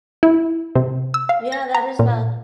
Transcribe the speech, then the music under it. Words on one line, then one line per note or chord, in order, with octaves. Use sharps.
Yeah, that is wild.
E4
C3
E6
F5
A#6
A#5
A#2